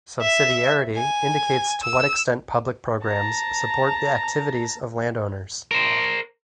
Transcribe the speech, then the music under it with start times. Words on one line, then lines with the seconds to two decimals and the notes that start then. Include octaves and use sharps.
Subsidiarity indicates to what extent public programs support the activities of land owners.
0.22 E5
0.96 G#5
1.83 E6
3.05 A5 A#5
5.71 A#4 C5